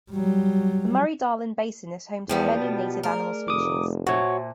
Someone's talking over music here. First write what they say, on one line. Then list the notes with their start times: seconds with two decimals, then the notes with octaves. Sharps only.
The Murray-Darling basin is home to many native animal species.
0.11 F#3 G3
2.29 E2 F3 G3 B3 G5 A5
2.60 B2
3.03 A3 G#4 A#4 D5
3.48 F1 D6 D#6
4.07 A#2 F#4 C5 C#5 E5 A5